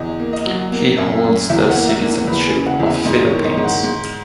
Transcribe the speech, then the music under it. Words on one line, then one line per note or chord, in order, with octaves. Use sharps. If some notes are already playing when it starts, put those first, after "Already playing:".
He holds the citizenship of Philippines.
Already playing: E2 D#5
A#3
D#5
F#3
A#3
F#2
F#2
E2 E5
F#5
A#3
E5
A#3
E2 B4
G#4
C#3
F#5
E2
E5
G#2 D#5
C#5
D#3
D#5
G#2
F#5
G#2